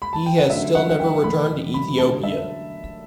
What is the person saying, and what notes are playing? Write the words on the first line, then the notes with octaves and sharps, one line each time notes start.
He has still never returned to Ethiopia.
B5
A5
G5
F#5
F#2 D3 A3 E5
F#5
F#5
G5
E2 B2 F#3 A3 B5
B5
F#2 D3 A3 A5
E5